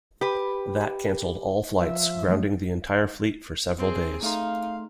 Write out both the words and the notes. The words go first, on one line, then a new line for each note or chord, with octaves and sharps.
That cancelled all flights, grounding the entire fleet for several days.
G4 B4
F3 E5
F3 F#3 A3
C4 G#4
A3 D#4 F5 C6